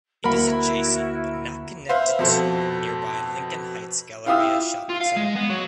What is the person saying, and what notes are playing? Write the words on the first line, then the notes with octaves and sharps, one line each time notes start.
It is adjacent but not connected to nearby Lincoln Heights Galleria Shopping Centre.
D2 A#3 E4 F#4 A#4 F#5 B5
B4 C5 E5 F5
F2 B2 A4 C5
E4 F4 G4 F5 D#6 E6
F4
F5
G#3
B3
F#3